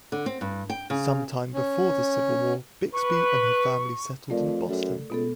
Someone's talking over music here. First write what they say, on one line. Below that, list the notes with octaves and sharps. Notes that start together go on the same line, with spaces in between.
Some time before the Civil War, Bixby and her family settled in Boston.
D3
C4
G2
G5
C#3
C#4
B4 C#6
F2 A3 A#4 D5
F#2 A4
C#2 B2 B3 A4